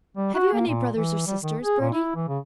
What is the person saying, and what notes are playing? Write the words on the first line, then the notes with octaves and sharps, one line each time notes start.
"Have you any brothers or sisters, Bertie?"
G3
F#4
A#3
A#2
E3
G3
D#3
G#4
A#2
E4
E3
C#3